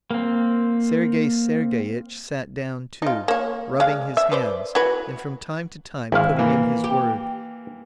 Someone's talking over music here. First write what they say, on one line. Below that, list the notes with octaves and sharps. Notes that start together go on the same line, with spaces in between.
Sergey Sergeyitch sat down too, rubbing his hands, and from time to time putting in his word.
A#3 C4
D#4 F4
A#3 C#5
G#3 D5 F5
E5
B4 C5 D5
E4 F#4 B4
G#1 E4 F5
E3 A#3
G4